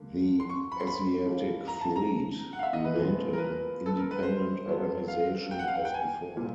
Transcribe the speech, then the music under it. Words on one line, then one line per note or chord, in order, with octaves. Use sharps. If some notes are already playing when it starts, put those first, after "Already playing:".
The Asiatic Fleet remained an independent organization as before.
Already playing: D3 G3 A#3
C6
C#6
B5
C6
B5
A2 F3 A#3
A#5
A5
A#5
F#5
F5
E5
D#5
B4
A#2 F3 G#3 B3
A#4
B4
A4
A#4
B4
C5
G2 D3 F#3 B3
F5
G5
F#5
F5
F#5
G5
G#5
A#2 G3